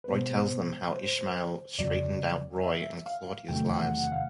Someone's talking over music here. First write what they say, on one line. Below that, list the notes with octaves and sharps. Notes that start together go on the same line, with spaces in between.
Roy tells them how Ishmael straightened out Roy and Claudia's lives.
B4
B2 G#3 B3 C5
C5
F2 C#3 F#3 D5
E5
F5
E2 C3 D#3 F#3 A3 G5
F#5
F#5
F#5
F5